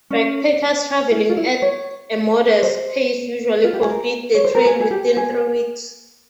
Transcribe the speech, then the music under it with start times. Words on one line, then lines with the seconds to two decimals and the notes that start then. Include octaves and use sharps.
Backpackers traveling at a modest pace usually complete the trail within three weeks.
0.10 C#4
1.11 E4
1.29 F4
1.37 E4
1.62 C#5
2.63 C5
3.64 F4
3.73 G4
3.81 G#4
3.90 A#4
4.35 C#5
4.45 C5
4.55 A#4
4.66 G#4
4.80 G#4
4.91 G4
5.17 G#4